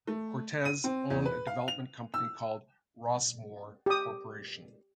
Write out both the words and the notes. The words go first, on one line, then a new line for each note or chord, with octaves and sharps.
Cortese owned a development company called Rossmoor Corporation.
A3
D#7
C4
E2
B4
F5
F7
E6
G4 D#6